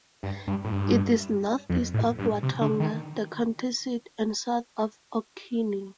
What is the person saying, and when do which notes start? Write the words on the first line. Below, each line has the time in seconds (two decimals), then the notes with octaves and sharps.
It is northeast of Watonga, the county seat, and south of Okeene.
0.23 G2
0.48 G2
0.64 A2
0.72 G2
1.70 F2
1.94 A2
2.19 G2
2.43 C3
2.61 D3
2.80 D#3